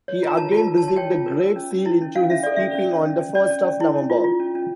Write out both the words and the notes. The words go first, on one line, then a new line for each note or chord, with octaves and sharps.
He again received the Great Seal into his keeping on the first of November.
C#5
F4 A#5
A#4 A5
F4
A5
A#4
A5
C#5
A5
C#5 G5
F4
A#4
A#4
C#4
C#4
E4
C#4
C#4 F5
C#4 E5
A4 D5
C#4 E5
C#4
C#4
C#4
C#4
C#4 D5
C#4
C#4
E4
C#4
F4
F4
C#4
C#4